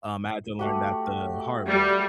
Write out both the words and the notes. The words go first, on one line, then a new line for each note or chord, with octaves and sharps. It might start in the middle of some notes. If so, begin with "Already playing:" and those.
um, I had to learn that the hard way.
A3 F#4 G4
G3